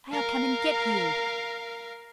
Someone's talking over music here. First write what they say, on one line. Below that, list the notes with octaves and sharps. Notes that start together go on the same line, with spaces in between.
"I'll come and get you."
A#4 F5